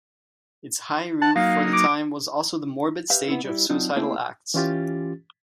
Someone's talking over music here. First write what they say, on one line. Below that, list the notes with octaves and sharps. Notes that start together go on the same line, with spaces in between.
Its high roof for the time was also the morbid stage of suicidal acts.
F#5 A5
F#3 A#3 D#4 F5
D6
G4 B4 E5 F5
B3 C4 E4
G3 E4
F#3 C4 D4 D#4 F4
A3 A#3 C4 E4 G#4
E3 C#4 F4 G4 A6